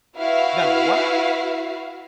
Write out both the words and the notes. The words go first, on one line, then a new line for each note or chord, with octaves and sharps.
Now, why
E4 F#4 B4 E5 F5